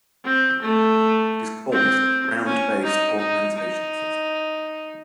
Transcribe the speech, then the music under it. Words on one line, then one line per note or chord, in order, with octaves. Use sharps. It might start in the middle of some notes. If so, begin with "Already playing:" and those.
It is called the Ground Based Augmentation System.
C4
A3
C4
C#4
D#4
D#4
D#4